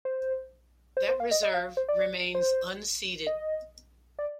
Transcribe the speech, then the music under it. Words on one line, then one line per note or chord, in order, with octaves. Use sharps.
That reserve remains unceded.
C5
C5
C5
F5
D#5
D#5
F5
C5
D5
C5
D#5
D5